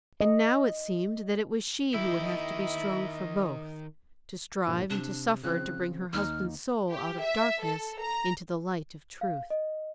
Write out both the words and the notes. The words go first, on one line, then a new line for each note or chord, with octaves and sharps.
And now it seemed that it was she who would have to be strong for both; to strive and to suffer to bring her husband's soul out of darkness into the light of truth.
D#5
D#3 E4 G4 D#5
G2 A#2 F3
C3 D4
C#3 F3 C4 F#6
D#2 D#4 A#5 F6
G4
E5
A4
A#5
F5
D#5